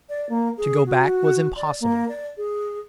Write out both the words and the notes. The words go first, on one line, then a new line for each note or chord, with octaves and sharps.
To go back was impossible.
D5
A#3
G#4
F#4
D5
A#3
D5
G#4